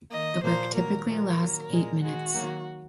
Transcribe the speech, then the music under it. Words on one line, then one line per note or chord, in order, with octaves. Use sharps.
The work typically lasts eight minutes.
D#3 A#3 D#5
A#2 F3 A#3 C5
D#3 F#3 A#3 A#4
A#2 F3 G#3 A#4
D#3 F#3 A#3
A#2 G#3
D#3 G#3 F#4
D#3 F#3 A#3